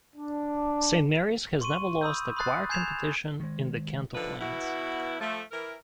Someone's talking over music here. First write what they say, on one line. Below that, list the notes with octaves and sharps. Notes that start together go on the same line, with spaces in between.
Saint Mary's has never lost a choir competition in the Kanto Plains.
D4
C6 C#6 D#7
B5 D#6 E6 G6
B5 C6 D#6 F#6 A6 C7
G#5 G6 G#6 C7 E7 F7
D#3 G#3
D3 D#3 F3 B4
B2 B3 E4 F#4
F3 A3
E3 A#4